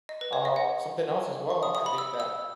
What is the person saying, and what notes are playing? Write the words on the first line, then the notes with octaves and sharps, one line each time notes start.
Um, something else as well, I think that
D#5
B4
C#5
D#5
F#5
C#6
D#6
D#6
B5
E6
E6